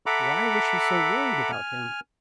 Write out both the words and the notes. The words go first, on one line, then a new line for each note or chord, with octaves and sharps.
Why was she so worried about him?
A4 E5 F#5 A#5 B5 D6
G#5 F6